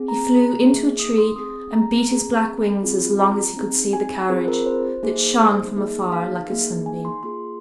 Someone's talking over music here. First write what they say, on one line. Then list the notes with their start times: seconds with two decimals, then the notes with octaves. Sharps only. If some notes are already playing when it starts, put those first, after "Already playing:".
He flew into a tree, and beat his black wings as long as he could see the carriage, that shone from afar like a sunbeam.
Already playing: C4 G#4
0.08 A#5
0.63 A#3 D#4 G#4
0.99 D#6
1.18 C6
1.36 C4 G#4 D#6
1.73 A#5
2.10 C4 G#4
2.83 C4 F4 G#4
3.19 A#5
3.56 C4 D#4 G#4
3.93 G#5
4.29 C4 F4 G#4 C5
4.48 A#4
4.66 C5
5.03 A#3 D#4 G#4
5.76 A#3 D#4 G#4
6.12 F5
6.50 A#3 D#4 G#4
6.86 G#5
7.05 C6
7.23 A#3 F4 G#4 C6